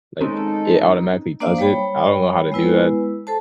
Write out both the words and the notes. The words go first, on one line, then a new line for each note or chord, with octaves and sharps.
like, it automatically does it, I don't know how to do that,
D#3 G#3 C4 C#4 D#4 A4
A#3 D4 C5 D5 F5
G3 C#5 G5 B5
G#3 B3 E4 B4
A4 C5 A5